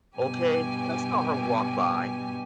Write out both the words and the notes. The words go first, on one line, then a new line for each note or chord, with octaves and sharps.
okay, that's not her walk by
G2 B2 G4 G#5